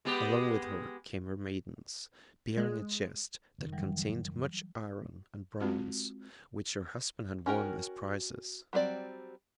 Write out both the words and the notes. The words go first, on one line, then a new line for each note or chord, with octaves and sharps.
Along with her came her maidens, bearing a chest that contained much iron and bronze which her husband had won as prizes.
G#3 B3 G4
G#3
F#1 D#3
E3 F#3 G3
G#3 C4 F4 F#4
C#4 F#4 A#4 G5
F#3 G3 C4 D5